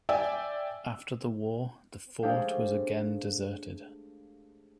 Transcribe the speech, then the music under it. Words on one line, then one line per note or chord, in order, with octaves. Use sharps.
After the war, the fort was again deserted.
D5 E5 G5 G#5 E6
G#3 A3 D4 G4 C5 F5